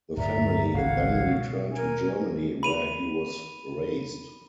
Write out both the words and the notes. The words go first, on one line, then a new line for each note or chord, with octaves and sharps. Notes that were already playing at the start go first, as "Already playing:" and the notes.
The family then returned to Germany where he was raised.
D1 G2 G3 D5 E5 A#5
G#1 C#2 C3 C#5 F5 F#5
B2
A#4 C#5 G#5
B5 D#7 F7